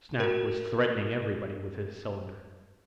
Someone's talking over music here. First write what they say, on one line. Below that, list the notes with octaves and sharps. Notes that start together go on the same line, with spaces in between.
Snap was threatening everybody with his cylinder.
F#4 A#4